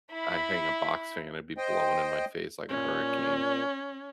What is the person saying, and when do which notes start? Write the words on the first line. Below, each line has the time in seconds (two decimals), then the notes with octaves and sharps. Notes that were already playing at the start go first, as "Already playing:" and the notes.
I hang a box fan, it'd be blowing in my face like a hurricane,
0.12 E4 B5
1.57 C5 D#5 G5
2.69 A#2 C#4